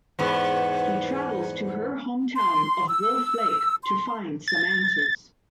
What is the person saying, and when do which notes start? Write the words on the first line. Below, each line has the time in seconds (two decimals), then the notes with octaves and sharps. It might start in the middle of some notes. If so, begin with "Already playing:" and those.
He travels to her hometown of Wolf Lake to find some answers.
0.19 E2 G#2 B3
2.35 C6
2.89 E6
3.83 C6
4.48 A6